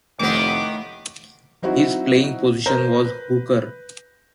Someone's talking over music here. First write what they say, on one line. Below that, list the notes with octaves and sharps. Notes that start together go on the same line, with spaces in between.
His playing position was hooker.
F1 D#3 A3 B3 C#4 E4 D6
F#3 C4 D#4 E4 F#4
A#4 C5 A#5 G6 A#6
B4